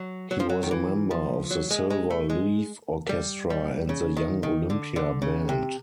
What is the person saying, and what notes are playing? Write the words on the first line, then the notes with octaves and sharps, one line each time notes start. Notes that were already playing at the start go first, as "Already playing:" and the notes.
He was a member of the Silver Leaf Orchestra and the Young Olympia Band.
Already playing: F#3
F#3
F3
F#3
D#3
E3
F3
F#3
G#3
G#3
A3
G#3
G3
G3
C#3
D#3
D#3
D3
D3
C#3
C3